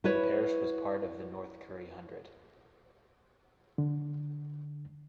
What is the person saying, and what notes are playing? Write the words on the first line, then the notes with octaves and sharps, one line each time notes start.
The parish was part of the North Curry Hundred.
E4 F#4 B4 C#5
D3